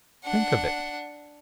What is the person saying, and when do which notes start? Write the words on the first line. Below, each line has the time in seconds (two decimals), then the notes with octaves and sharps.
Think of it!
0.24 D4 F#5